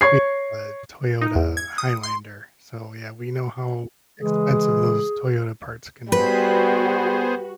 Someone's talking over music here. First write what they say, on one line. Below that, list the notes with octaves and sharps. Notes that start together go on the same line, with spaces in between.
we, uh Toyota Highlander, so, yeah, we know how expensive those Toyota parts can be.
C#5 C#6 G#6 C7
D#4
E2
G#6
D#6
C6
C#3 E3 G#3 G#4
G3 B3 F#4 G#4 B4 C5